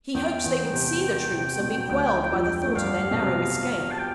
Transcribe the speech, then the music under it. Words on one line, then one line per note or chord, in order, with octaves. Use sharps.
He hoped they would see the troops, and be quelled by the thought of their narrow escape.
E2 E3 G5
E2 E3
C3
C3
B2
B2
D2 D3
F2 F3
A3
G2 G3 F5
B2
C3
F5
A5
G5